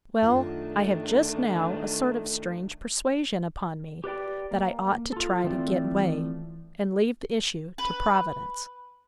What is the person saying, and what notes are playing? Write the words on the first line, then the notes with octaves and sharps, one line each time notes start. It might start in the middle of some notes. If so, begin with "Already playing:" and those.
Well, I have just now a sort of strange persuasion upon me, that I ought to try to get way, and leave the issue to Providence.
F#2 D#3 A3 D4 F4 F#5
G4 B4 D5 G5
A#3
F4 A4
E3 F3 A3 C4 D5
B4